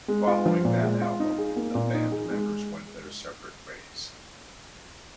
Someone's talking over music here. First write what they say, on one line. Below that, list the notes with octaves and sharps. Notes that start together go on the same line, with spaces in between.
Following that album, the band members went their separate ways.
G#3
F4
F3
A#2
G#3
F4
D#4
G#4
A#3
A#2
D#4
G#4
G#3